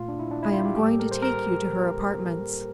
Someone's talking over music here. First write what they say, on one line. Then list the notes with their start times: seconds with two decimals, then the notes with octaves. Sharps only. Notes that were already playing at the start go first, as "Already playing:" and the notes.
I am going to take you to her apartments.
Already playing: A#2 A3 F4
0.08 D4
0.19 E4
0.31 D4
0.43 E4
0.54 F4
0.65 G4
0.76 A2 G3 A#3 G4
0.88 A4
1.00 A#4
1.11 C5
1.22 A#4